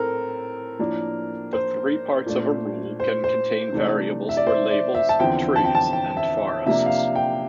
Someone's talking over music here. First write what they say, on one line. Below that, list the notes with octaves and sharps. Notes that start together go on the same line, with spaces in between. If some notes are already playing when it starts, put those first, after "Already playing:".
The three parts of a rule can contain variables for labels, trees, and forests.
Already playing: A2 C4 A4 A#4
A2 F3 A#3 D4
C5
A#2 A3 D4
C5
C5
C3 E3 A3 D4
E5
D5
C5
D5
E5
A5
E2 D3 F3 C4 G5
A5
G5
A5
G5
E5
C3 F3 A#3 D4 E5
F5
E5
G5